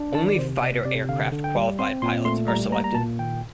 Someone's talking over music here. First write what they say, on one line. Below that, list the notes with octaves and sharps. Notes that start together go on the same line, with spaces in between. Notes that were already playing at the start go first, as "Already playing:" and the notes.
Only Fighter aircraft qualified pilots are selected.
Already playing: D4
D#3 A5
D5
C3 C5
C3 D5
C3 D5
D3 F5
D3
G5
G3
C4 C6
A#2 C6
A3 C6
G3 A#5
A#3 A#5
A#5
A#2 A5
D#3 G5